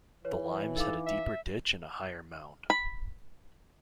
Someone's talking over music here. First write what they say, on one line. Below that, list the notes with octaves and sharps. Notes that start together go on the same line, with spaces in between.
The Limes had a deeper ditch and a higher mound.
E3 B4 C#5
D#4 A4 F5 D6
E5
B5